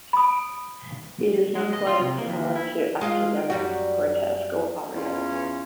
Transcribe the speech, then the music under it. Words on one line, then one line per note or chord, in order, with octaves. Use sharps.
It is not quite as similar to Akzidenz Grotesk or Arial.
B5 D#6
G#3
D#5
F4
C3
A#3
D#2
E4
G#3 F4 F5
F#2 G3 F#4
E2 E3 C#4 F4